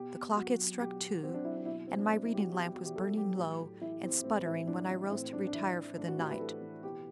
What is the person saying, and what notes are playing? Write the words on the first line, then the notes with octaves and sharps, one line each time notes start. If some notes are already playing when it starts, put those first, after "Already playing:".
The clock had struck two, and my reading-lamp was burning low and sputtering when I rose to retire for the night.
Already playing: B2 G4
B2
F#3 F#4
F#3
B2 G4
B2
F#3 C4
D4
F#3 E4
D4
B2 E4
B2 C4
D4
F#3 D4
E4
F#3 G4
F#4
B2 G4
G4
B2 F#4
G4
F#3 A4
F#3 G4
A2
A2
E3 E4
E3 C4
A2 C4
A2 E4
E3 D4
E3
A2 C4
A2 D4
D4
E3 E4
E3
A2 D4
F#4
A2 G4
B4
E3 A4
E3
B2 G4